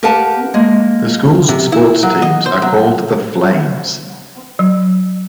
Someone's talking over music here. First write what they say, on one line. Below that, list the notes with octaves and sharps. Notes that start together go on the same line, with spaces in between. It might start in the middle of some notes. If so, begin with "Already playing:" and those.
The school's sports teams are called the Flames.
G4 A#4 B4 F5 F#5 A5
G#3 A#3
C3
E4
F#3
D#5
C5
F#3
F#3